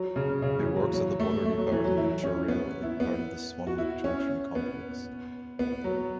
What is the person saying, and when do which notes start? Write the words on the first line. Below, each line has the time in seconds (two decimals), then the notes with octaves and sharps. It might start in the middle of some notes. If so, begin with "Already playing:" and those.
It works at the Butterley Park Miniature Railway, part of the Swanwick Junction complex.
Already playing: F#3
0.16 C#3
0.42 C#3
0.59 E3
0.76 F#3
0.93 F#3
1.20 A3
1.45 A3
1.58 F#3
1.72 E3
1.84 F#3
1.98 E4
2.23 C#4
2.48 B3
2.83 E4
3.00 B3
3.67 F#4
3.78 E4
4.04 C#4
4.55 B3
5.59 B3
5.84 F#3